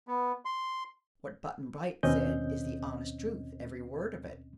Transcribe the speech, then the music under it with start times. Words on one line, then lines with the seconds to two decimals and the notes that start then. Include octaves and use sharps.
"What Button-Bright said is the honest truth--every word of it."
0.08 B3
0.45 C6
2.03 D#2 B2 C4 C#4 D#5 G6